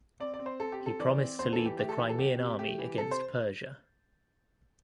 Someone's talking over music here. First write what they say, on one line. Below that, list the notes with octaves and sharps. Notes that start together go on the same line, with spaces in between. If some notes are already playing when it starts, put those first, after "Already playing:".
He promised to lead the Crimean army against Persia.
C4 D5
D5
C4
C5
C4 A4
G4
C4
A4
E3 D5
C4
E2 C5
A4
E3
G4
A3 G4
A4
E3 G4
A4
C2 G4
C3
A3 G4
E3
C3 A4
C5